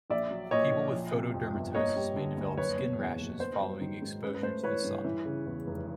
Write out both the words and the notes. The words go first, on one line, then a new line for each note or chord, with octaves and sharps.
People with photodermatoses may develop skin rashes following exposure to the sun.
A#1 D5 E5
F#3
A#2 C#5 D#5
A#1
F3
C3
F2
G1
A#3 C#5 D#5
G3
D3
D2
F#1 B4 C#5
B2
E2
F#1
B3 C5
F#3
D#3
G#2
C#4 B4
B4
A3 C5
E3 B4 C#5
G2
E3
C#3
E2
F1